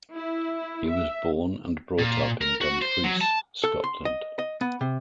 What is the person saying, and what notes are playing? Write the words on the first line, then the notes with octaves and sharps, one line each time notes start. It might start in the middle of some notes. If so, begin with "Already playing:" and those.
He was born and brought up in Dumfries, Scotland.
E4
E5
A#2
A#4
F#4
C5
F#3
A5
A4
C6
D#5
D#5
B3
C3